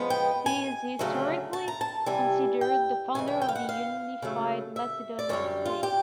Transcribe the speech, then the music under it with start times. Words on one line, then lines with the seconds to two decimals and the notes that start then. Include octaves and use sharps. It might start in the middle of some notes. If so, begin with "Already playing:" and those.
He is historically considered the founder of the unified Macedonian state.
Already playing: C#3 F3 G#3 B3
0.10 G5
0.46 G#5
0.99 D2 C#3 F#3 A3
1.53 A5
1.68 A#5
1.81 A5
2.06 C3 E3 G3 G#5
2.61 G5
3.14 F2 C#3 E3 A3 G#5
3.28 G5
3.42 G5
3.49 F5
3.55 F#5
3.69 F5
4.22 C#3 F#3 A3
4.76 E5
5.19 D5
5.29 F#2 D3 G3 C#5
5.65 F4
5.83 G4